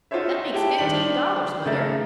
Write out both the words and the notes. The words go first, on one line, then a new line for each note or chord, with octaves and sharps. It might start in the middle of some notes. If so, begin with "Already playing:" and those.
That makes fifteen dollars, mother.
D#4 F4 F#4 C5 C#5 E5
E4 G4 E5 G5 A5
D#3 G3 D4 C5 B6 F#7
C#3 A3 D#4 A#4 E5 A6